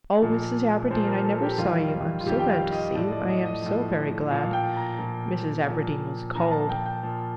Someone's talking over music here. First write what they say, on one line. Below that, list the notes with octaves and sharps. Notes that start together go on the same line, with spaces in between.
"Oh, Mrs. Aberdeen, I never saw you: I am so glad to see you--I am so very glad." Mrs. Aberdeen was cold.
A#2 F3
A#2 F3 C5
A#4
A4
G4
F2 D#3 G3 F4
F4
F2 D#3 G3 G4
G5
F5
D#5
A2 F3 D5
D#5
D5
D#5
D#5
A2 F3
A#2 F3 F5
G5
A#5
A#2 F3
A#2 F3
A#2 F3 A#5
A5
G5
G5
A#2 F3